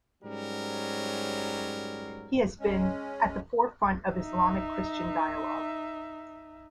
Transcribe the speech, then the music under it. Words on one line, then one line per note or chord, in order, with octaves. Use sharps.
He has been "at the forefront of Islamic-Christian dialogue".
G#2 F#3 G3 C#4 A#4
G#3 C#4
D#4 E5